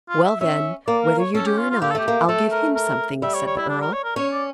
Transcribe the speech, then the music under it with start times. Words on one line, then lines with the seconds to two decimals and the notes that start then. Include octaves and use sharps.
"Well, then, whether you do or not, I'll give him something," said the earl.
0.09 F4
0.25 E5
0.41 C#4 E5
0.87 A#3 D5
1.04 A#4
1.19 C#5
1.35 C#4 A4
1.46 G4
1.58 F4
1.70 F4
1.81 A#3 G4
1.90 A4
1.95 A3 G4
2.08 A#3
2.28 A3 A4
2.52 A#4
2.75 A#4
3.22 G3 E5
3.34 C#5
3.47 C#5
3.57 E4
3.69 D4
3.81 A#4
3.93 C#5
4.04 A#4
4.16 C#4 C#5
4.32 D5